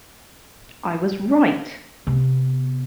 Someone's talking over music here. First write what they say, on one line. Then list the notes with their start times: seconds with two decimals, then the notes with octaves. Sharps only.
I was right!
2.07 C3 B3